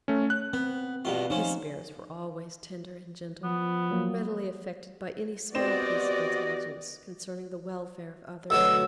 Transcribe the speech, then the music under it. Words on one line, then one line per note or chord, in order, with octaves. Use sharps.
His spirits were always tender and gentle, readily affected by any small piece of intelligence concerning the welfare of others.
A3 C#4
F#6
B3 C4
G2 B2 F4
F3 C#4 D#4
F3 B3
F#3 A#3
B3 C4 F#4 G4 D5 D#5 E7
D2 B2 F#3 E6